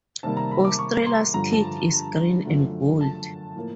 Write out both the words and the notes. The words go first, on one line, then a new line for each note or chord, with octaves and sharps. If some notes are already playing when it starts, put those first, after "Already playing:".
Australia's kit is green and gold.
C3 D#3 G3 A#3 A5
A#5
B5
D6
C#6
C6
G2 D3 F3 A#5
A5
F#2 D3 F3 A3
A5
A2 F3 A#3